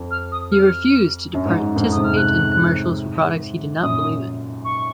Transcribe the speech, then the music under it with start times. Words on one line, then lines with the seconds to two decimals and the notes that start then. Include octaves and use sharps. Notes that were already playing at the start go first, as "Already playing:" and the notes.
He refused to participate in commercials for products he did not believe in.
Already playing: F2
0.11 F6
0.32 D#6
0.52 F6
1.34 F#2
1.46 G#2
1.55 F#2
1.76 F2 G#2
1.92 G#2 C3 D#6
2.04 F6
2.17 F#6
3.82 F#2 A#2 D#6
4.65 C#6